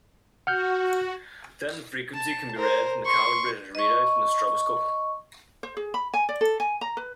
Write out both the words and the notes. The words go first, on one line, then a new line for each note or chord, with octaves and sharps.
Then the frequency can be read from the calibrated readout on the stroboscope.
F#4 F#5 F6 G6
A5
A#4 C5
C6 C#6
D#5 C#6
C5
G#4
B5
G#5
D5
A4
G#5
A#5
B4